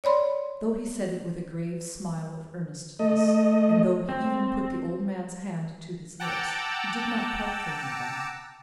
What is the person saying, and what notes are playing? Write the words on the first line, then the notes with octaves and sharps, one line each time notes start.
Though he said it with a grave smile of earnestness, and though he even put the old man's hand to his lips, he did not part from him then.
C#5 D5 B5 C6
A3 D#5
C4
F#5 G5 A5 A#5 D6 E6